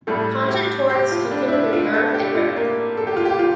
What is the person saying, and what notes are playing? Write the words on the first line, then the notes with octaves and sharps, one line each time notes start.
Concert tours took him through Europe and America.
A2 G3 A4
G4
G4
F4
D4
E4
D4
F4
A4
G4
F4
A#3
A4
G4
F4
G4
F4